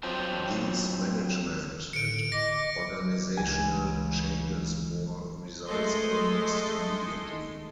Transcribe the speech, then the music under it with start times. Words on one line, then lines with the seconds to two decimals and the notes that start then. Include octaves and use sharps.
These management and organisational changes bore results almost immediately.
0.03 F#3 C4 F4 C5 G5 A5
1.93 A2 D3 C#7 D7
2.32 D#5 D6 A#6
3.37 C#2 E3 G#5
5.66 G#3 A3 A4 D#5 C6